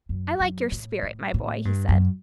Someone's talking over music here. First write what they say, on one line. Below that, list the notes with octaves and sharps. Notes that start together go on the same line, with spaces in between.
"I like your spirit, my boy," he said.
F#2
F#2
A2
A2
A2
G2
F#2